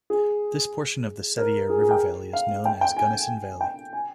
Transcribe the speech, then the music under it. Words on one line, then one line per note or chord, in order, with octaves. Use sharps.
This portion of the Sevier River Valley is known as Gunnison Valley.
G#4
A#4
G#4
G#4
G5
F5
G5
G5
G#5
G5
G#5